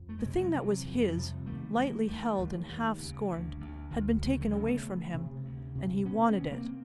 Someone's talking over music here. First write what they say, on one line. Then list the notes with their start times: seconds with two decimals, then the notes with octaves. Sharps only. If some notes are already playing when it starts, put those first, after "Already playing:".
The thing that was his, lightly held and half scorned, had been taken away from him, and he wanted it.
Already playing: F2
0.09 A3
0.19 G#3
0.25 C3
0.30 G3
0.40 F#3 G#3
0.55 C3 E3 F#3
0.86 F2
1.01 F3 G3
1.17 C3
1.46 D#2 G3 A3
1.78 D#2 G#3 A#3
2.07 D#2 G3 A3
2.39 D#2
2.69 D#2
3.00 C#3
3.31 D2
3.60 D2
3.91 D2
4.22 C#3 G#3
4.31 A3
4.41 F#3 G#3
4.52 C#3
4.68 A3 B3
4.83 C#3
5.14 C3
5.45 D2
5.75 C3
6.05 C3 B3 C#4
6.28 B3 C#4
6.36 D2
6.51 A#3 C4